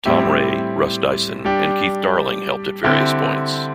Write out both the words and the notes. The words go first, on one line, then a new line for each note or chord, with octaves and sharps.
Tom Ray, Russ Dyson, and Keith Darling helped at various points.
A2 G3 C4 E4 G4
G3 D4 G4
D3 C4 E4 G4